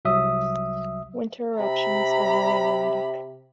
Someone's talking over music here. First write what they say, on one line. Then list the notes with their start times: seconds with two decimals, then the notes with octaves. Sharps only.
Winter eruptions are very erratic.
0.05 C2 F#3 E5 D#6
1.59 C3 A#5 B5